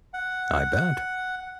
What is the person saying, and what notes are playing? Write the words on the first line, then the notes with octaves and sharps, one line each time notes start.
I bet.
F#5